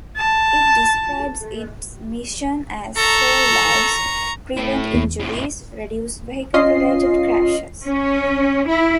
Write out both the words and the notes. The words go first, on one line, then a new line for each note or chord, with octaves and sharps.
It describes its mission as Save lives, prevent injuries, reduce vehicle-related crashes.
A5
A4 A#5 C#6
A3 E4
E2
F2 A2
C#4 F4 D#5 C7
C#4
E4